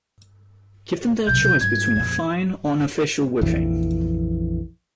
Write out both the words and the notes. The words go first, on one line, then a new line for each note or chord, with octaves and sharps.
Give them their choice between a fine or an official whipping.
B1 C3 G6
G#2 G3 G#6
F2 A#2
A#1 F2 E3